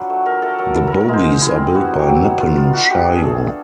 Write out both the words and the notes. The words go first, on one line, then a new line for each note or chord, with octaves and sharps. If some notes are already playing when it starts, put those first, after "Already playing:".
The bogies are built by Nippon Sharyo.
Already playing: F#3 D4 F4 B4
A3
A3 A#4
A3 A4
F#3 A#4
E4 A4
E4 A#4
A#4
G#3 C5
G#3
E4
C4
B3 F#4
F#3
G4
F#3
D#4 F#4
F#3 F4
B3 F4
A3 F#4
F4 G4
D4 G#4
G#4
A3 A4
D4